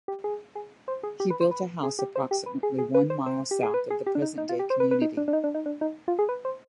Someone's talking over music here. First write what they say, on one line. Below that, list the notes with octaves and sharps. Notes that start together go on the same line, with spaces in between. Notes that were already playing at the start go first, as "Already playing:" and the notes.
He built a house approximately one mile south of the present-day community.
G4
G#4
G#4
C5
G#4
G4
B4
C5
B4
G#4
G4
C5
G4
B4
G#4
G#4
B4
C5
C5
G4
G#4
B4
G#4
G4
D4
D#4
D#4
F4
G4
C5
B4
B4
D#4
D4
D4
D#4
D4
D#4
D4
D#4
F4
G#4
B4
C5